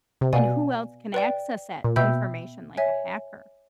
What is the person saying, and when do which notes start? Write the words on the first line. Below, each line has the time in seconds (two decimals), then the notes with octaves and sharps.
And who else can access that information, like a hacker.
0.21 C3
0.33 B2 D5 F5 G#5
1.14 B4 D5 G5
1.84 A#2
1.96 B2 E5 G5 B5 E6 G6
2.77 C#5 E5 G#5